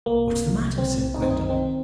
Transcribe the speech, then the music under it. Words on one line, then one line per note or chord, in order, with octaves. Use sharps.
"What's the matter?" said Gwendolen.
C2 A#3
C3
C2
C3 C4
C2
D#4
C4
D#3 D#4
D#3 C4